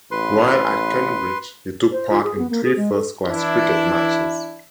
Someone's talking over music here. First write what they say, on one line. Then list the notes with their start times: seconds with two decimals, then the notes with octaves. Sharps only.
While at Cambridge he took part in three first-class cricket matches.
0.11 A1 B4 C6
1.92 C5
2.10 F4
2.23 G#4
2.38 B3
2.51 A#3
2.64 G#4
2.76 G#3
2.95 A4
3.27 E3 D4 E4